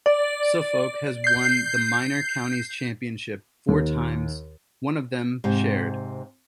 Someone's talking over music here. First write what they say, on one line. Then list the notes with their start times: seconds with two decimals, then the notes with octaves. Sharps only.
Suffolk has won the Minor Counties Championship four times, one of them shared.
0.06 D5
1.24 G6 C7
3.68 D#2
5.44 G#2 C3